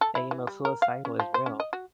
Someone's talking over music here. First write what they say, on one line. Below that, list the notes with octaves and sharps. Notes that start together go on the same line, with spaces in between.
and you know suicidal is real.
A4
E4
E3
G3
A#4
F5
C#4
F3
C5
C#4
D#5
F#4